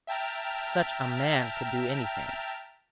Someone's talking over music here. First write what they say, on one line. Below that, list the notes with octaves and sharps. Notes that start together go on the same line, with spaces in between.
Such a man could do anything.
E5 G5 A5 A#5 F6